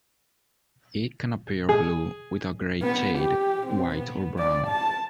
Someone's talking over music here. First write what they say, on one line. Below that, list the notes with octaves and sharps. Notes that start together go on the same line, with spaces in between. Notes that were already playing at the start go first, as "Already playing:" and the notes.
It can appear blue with a grey shade, white, or brown.
G#4
B3
G4
C4
B3
D5
A5